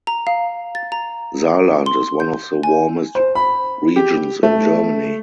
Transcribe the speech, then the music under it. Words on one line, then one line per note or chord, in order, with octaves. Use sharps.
Saarland is one of the warmest regions in Germany.
A#5
F5
A6
A#5
C6
G6
G#5
C5
B5
G4
A3